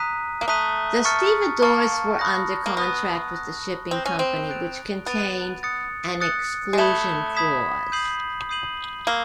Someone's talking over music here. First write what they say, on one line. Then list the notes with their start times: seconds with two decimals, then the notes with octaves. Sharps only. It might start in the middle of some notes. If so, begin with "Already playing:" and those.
The stevedores were under contract with the shipping company which contained an exclusion clause.
Already playing: A#5 D#6 F#6 B6 D#7
0.41 A#3
0.48 A3 A#5 D#6 F#6 B6 D#7
1.05 A5 C#6 F6 A6 C#7
1.62 A#3 A5 C#6 F6 A6 C#7
2.19 B5 D#6 F#6 A#6
2.66 A#3
2.77 B3 B5 D#6 F#6 A#6
3.35 D#6 F#6 A#6
3.91 C4 D#6 F#6 A#6
4.05 C#4
4.19 C4
4.49 F#6 A6 D7 F7
5.06 B3 F#6 A6 D7 F7
5.63 D#6 F#6 A6 C#7
6.20 D#6 F#6 A6 C#7
6.73 G#3
6.78 A3 B5 D#6 G#6 B6 E7
7.35 B5 D#6 G#6 B6 E7
7.92 D#6 G6 C7 D#7 F#7
8.49 D#6 G6 C7 D#7 F#7
9.07 A#3 C#6 E6 G#6 C7